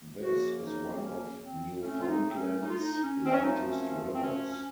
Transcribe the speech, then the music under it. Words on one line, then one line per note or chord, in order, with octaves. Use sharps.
This is one of Newfoundland's largest rivers.
F#2 C#3 F3 A#3 F#4
D#4
C4
C#4
C4
A2 A3 C4 C#4
F4
D#4
C4
C#4
D#4
F4
D#4
D#4
C#4
C4
C#4
F#2 F3 A3 C4 D#4
C#4
C4
C#4
C#4